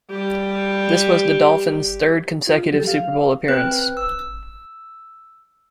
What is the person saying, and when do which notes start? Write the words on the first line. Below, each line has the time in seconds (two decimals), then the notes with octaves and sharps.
This was the Dolphins' third consecutive Super Bowl appearance.
0.11 G3 G4
2.47 F4
2.73 F#3 G4 A4
2.87 F5
3.48 C4 B4 F#6
3.97 E6